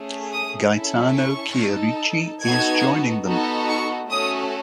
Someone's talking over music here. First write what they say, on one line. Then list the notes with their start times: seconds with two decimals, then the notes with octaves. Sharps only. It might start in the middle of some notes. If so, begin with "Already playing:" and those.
Gaetano Chierici is joining them.
Already playing: A3 C#4 G#4
0.33 D#6
0.75 C#4 E4 A4
1.17 C#6
1.59 D#4 A4
2.43 B3 D#4 F#4 A4 G#6
3.27 B3 D#4 F#4 A4
3.68 C#6
4.10 A3 C#4 F#4 A4 D#6